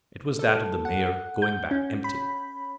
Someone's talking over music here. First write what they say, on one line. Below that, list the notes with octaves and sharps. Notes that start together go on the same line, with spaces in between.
It was that of the mayor, going back empty.
A4
F#5
G6
C#4
B5